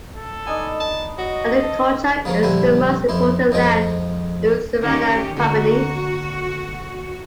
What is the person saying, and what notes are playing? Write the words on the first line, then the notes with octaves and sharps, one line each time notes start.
Agriculture is the most important land use around Bampini.
A4
B3 D4 D#4 G#5
A5
F#4 C#5 D#5
A4
C#3 F3 A#3 C#4
A#1 D3 G3 C4 E4 G#5
F2 E4 C5
F2 F3 G#3 G5
D#3 C#4 G4
D3 A#3 F#4